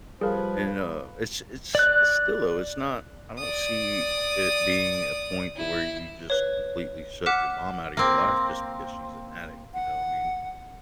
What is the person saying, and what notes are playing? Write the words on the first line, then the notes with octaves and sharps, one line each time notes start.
and and, uh, it's it's it's still though it's not I don't see it being a point to where you just completely shut your mom out of your life just because she's an addict, you know, I mean
F3 G3 G#4 A#4 B4
D5 F#6
D5 D#6
E4
B4 C#5
F#5 D6 F6 F#6 B6 E7
A#3 C4
F#5